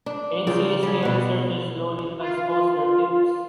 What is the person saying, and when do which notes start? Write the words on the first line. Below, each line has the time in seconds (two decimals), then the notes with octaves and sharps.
NCSA researchers slowly transpose their tips.
0.06 D4
0.47 C#3 F4 D5 G5
0.83 G3 G#4
1.02 B2 F#5
2.19 F4